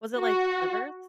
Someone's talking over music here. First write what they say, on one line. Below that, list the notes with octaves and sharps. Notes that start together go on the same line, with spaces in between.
Was it, like, slivers?
F#4